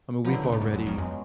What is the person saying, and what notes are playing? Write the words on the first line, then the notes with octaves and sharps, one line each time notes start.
I mean, we've already
B2 F3 F#3 B3 D4
D3
C#3
A2
G#2
F#2
F2
F#2 G#3 C#4 G#4